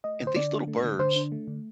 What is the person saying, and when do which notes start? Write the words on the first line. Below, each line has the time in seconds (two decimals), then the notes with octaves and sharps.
And these little birds,
0.04 A3 D#5
0.20 D3
0.27 C5
0.35 D3 D5
0.52 D4
0.68 A3
0.84 D3
0.99 D3 C5
1.16 D4
1.32 A3
1.47 D3